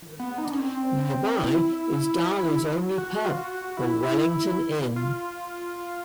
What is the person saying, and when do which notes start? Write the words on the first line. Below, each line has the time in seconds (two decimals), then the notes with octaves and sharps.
Nearby is Darley's only pub, the Wellington Inn.
0.20 B3
0.38 D#4
0.45 D4
0.52 C#4
0.59 C4
1.39 E4
2.98 F#4
3.11 F#4
3.24 F4
3.37 F#4
3.77 E4
4.96 F4